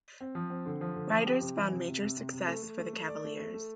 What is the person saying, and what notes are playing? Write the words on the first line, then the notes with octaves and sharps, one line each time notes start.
Riders, found major success for the Cavaliers.
C4
F3
C4
D3
F3
D3
F3
G4
C3
E3
C3
C3
C3
C3
C3
A3
A3
A3
A3
D5
A3
A3
A3